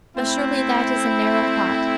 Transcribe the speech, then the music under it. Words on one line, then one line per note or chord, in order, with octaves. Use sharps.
But surely that is a narrow thought.
A3 C4 E4